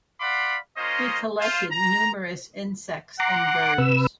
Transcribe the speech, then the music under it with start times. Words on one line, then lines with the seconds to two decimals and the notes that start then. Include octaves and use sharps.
He collected numerous insects and birds.
0.20 D5 F5 F#5 B5 C6 D6
0.77 A#3 C#4 F4 C5 D#5
1.40 F4 C5
1.71 A#5
3.20 F#5 A#5 C6 D6
3.78 C3 B4 E6